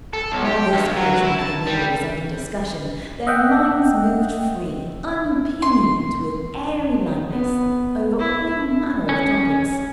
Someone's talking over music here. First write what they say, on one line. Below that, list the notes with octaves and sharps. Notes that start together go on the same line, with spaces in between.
While this portion of the meal was under discussion their minds moved free, unpinioned, with airy lightness, over all manner of topics.
A4
B1
G4
G2
F#3
E4
A5
G3
D#5 E5 F#5 G5
C6
B3
E4
C#4